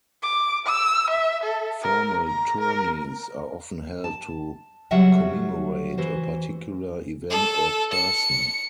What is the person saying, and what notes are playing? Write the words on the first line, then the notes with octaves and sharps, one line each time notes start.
Formal tourneys are often held to commemorate a particular event or person.
D6
E6
E5
A4
A#4
A#5
A#4
A5
C#3 F#3 G3 F#4 E5 F#5
E3 F#4 C5
A4
C#7